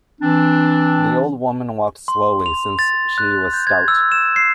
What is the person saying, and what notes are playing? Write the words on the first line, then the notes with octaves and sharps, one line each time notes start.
The old woman walked slowly, since she was stout.
E3 C4 D4
C6
F7
A6
F#6
G6
G#6
E6
E7
C7